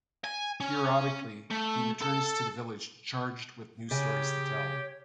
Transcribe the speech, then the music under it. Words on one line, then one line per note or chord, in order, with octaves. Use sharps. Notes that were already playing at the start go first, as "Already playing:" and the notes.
Periodically, he returns to the village charged with new stories to tell.
G#5
C#4
A3
A4
C#3 G4 C#5